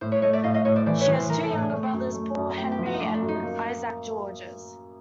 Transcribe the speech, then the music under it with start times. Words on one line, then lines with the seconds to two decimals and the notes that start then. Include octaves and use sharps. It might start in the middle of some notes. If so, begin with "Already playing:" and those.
She has two younger brothers, Paul Henri and Isaac Georges.
0.01 A2 C5
0.12 B4 C#5
0.22 A3 C#5 D#5
0.33 D5 E5
0.43 A2 D#5 F5
0.54 D#5 F5
0.65 A2 C#5 D#5
0.76 C5 D5
0.86 E3 C5 D5
1.00 B4 C#5
1.08 E3
1.15 C5
1.29 E3 A#4
1.43 A4
1.51 A2
1.57 G#4
1.72 A3
1.94 F#2
2.14 A3
2.36 F#2
2.57 A3 G4
2.72 G4
2.79 F3
2.86 F#4
2.94 D#4
3.00 A3 D4
3.14 D4
3.21 F#2
3.28 D#4
3.43 A#3